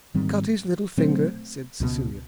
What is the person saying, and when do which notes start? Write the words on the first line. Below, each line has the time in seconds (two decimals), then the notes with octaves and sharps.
"Cut his little finger," said Cecilia.
0.14 G#2 D#3 G3 C4
0.97 B2 F#3 A3 C4
1.80 C#2 B2 G#3 B3